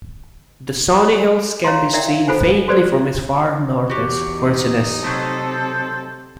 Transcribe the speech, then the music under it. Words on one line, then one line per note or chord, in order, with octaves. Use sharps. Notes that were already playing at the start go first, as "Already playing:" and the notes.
The Shawnee Hills can be seen faintly from as far north as Vergennes.
A4
C#5 F5 A#5 C6
E4 A#4 D5 E5 F#5 G5
F5
F4 A4 B4 C5 F#5 G#5
F#4 G4 A4 B4 C5 D5
E2 F#4 G4
D#4
C3 F#3 A3 A4 C5